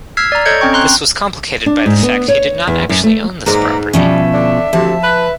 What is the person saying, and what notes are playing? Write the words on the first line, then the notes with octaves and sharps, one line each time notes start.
This was complicated by the fact he did not actually own this property.
E6 F6 G#6 B6 C7
D5 A#5
A4 C#5 D#5 G6 G#6 C#7
C4 C#4 G5 C#6
A#5 C6 F#6
D4
G#2
B3
C#5
E2
F#2
A3
G#2 A#3 B4 D5 A#5
B2 F3 G3 C#4 E5
D3 D4
D2 C3 F3 A5
B4